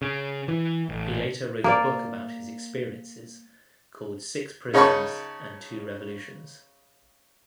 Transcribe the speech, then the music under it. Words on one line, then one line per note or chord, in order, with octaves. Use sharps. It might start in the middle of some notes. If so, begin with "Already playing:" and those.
He later wrote a book about his experiences, called "Six Prisons and Two Revolutions".
C#3
E3
A1
A#3 D5
C#3 D#4 C#5 A5 B5 C#6